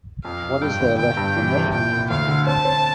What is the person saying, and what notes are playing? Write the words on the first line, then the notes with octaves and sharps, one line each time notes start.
What is there left for me?
F2 F5
F2
G2 G5
G1
G1 G5
G2
E3
C3
A#2 G5
C2
D2 F5
D3
C4 A5
C4